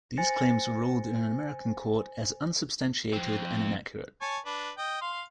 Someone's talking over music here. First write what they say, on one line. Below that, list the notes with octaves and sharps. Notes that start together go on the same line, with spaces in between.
These claims were ruled in an American court as "unsubstantiated and inaccurate".
C5 G#5 A6 A#6 C#7
F2 C4
C#5 G#5 A5
D4 B4
D#5 G5
F5 C6